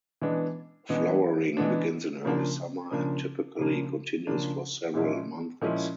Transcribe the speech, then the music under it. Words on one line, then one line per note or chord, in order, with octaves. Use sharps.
Flowering begins in early summer and typically continues for several months.
E3 G#3 B3 D4
E3 G#3 B3 D4
E3 G#3 B3 D4
C#3 F3 A#3 D4
C#3 F3 A#3 D4
C#3 F3 A#3 D4
C#3 F3 A#3 D4
A#2 F3 G#3 C#4 E4
A#2 F3 G#3 C#4 E4